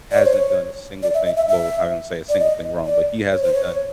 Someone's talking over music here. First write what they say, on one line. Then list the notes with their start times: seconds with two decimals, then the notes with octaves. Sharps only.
hasn't done a single thing" Well, I wouldn't say a single thing wrong, but "He hasn't done
0.11 D5
0.18 C#5
0.26 C5
0.33 C#5
1.03 D5
1.14 E5
1.25 D#5
1.37 E5
1.49 E5
2.29 D5
2.40 D#5
2.86 D5
3.31 C#5
3.42 C5
3.54 C#5